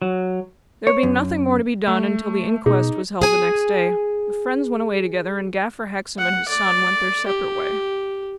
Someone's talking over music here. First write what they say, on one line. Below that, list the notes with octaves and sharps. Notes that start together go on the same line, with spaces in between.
There being nothing more to be done until the Inquest was held next day, the friends went away together, and Gaffer Hexam and his son went their separate way.
F#3
C#5
F#2
A3
B2 D#4 G#4
G#4 G#5
F#5
D5
G4